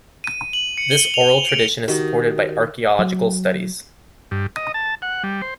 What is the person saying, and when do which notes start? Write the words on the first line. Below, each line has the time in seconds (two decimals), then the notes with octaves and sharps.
This oral tradition is supported by archaeological studies.
0.24 D#7
0.53 F#7
0.78 C#7
0.91 G7
1.14 F7
1.49 D7
1.88 D#3 D#4 F#4 G4
2.99 F#3
4.31 G2
4.56 D#5
4.74 A5
5.02 F#5
5.24 G3
5.42 C5